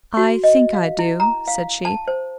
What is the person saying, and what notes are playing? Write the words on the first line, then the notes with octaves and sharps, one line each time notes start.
"I think I do," said she.
F#4
D#5
F5
E4
A#5
F5
A5
C5